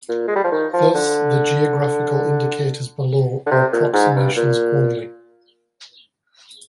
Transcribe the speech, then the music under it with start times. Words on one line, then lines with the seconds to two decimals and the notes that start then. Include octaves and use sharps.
Thus, the geographical indicators below are approximations only.
0.09 A#2
0.28 G#3
0.36 G3
0.44 F3
0.52 D#3
0.73 F3
0.95 D3
3.46 D3
3.51 C3
3.73 A#2
3.93 G#2
4.16 G2
4.36 A#2